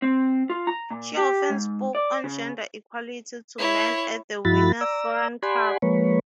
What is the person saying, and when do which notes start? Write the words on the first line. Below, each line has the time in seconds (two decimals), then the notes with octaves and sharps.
She often spoke on gender equality to men at the Wiener Frauen Club.
0.02 C4
0.50 F4
0.67 A#5
0.90 A#2
1.17 G4
1.50 G#2
1.95 D5
2.24 C#3
3.58 E4 C#5
4.45 G2 F3 E4 F#4 B5 A6
4.81 D5 A#5 E6
5.43 G4 D5 F#5 G#5 B5 C6
5.82 F3 G#3 A#3 B4 C#5